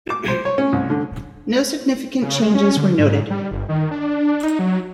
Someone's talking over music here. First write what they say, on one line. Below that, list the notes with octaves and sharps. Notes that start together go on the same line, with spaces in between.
No significant changes were noted.
D6
C5
C#5
C#4
C2
D3
C#3
G#3
C#4
D3
G#2
G3
G1
D#3
D4
D#4
F#3